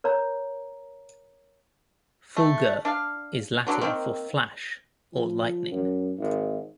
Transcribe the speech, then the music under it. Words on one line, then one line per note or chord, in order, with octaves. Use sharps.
Fulgur is Latin for "flash" or "lightning".
A#4 C#5 A#5
A3
D4 F5
D3 F#3 D4
D#3 A#3 C4
F3
F#2
G#1